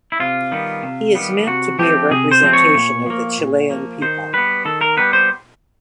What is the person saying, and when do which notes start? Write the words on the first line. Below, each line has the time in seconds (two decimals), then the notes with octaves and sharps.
He is meant to be a representation of the Chilean people.
0.12 E4
0.20 C3 F4
0.52 D#3 G3 B3
0.83 C3
1.15 D#3 G3 B3
1.47 C3 F#4
1.79 F3 A3 C4 G4
2.11 C3 G#4
2.31 C5
2.43 F3 A3 C4
2.53 C#5
2.74 A#2
3.06 F3 A#3
3.38 A#2
3.70 F3 A#3
4.02 D#3 C5
4.33 G3 B3 B4
4.65 D#3 A4
4.81 A#4
4.97 G3 B3 B4
5.13 C5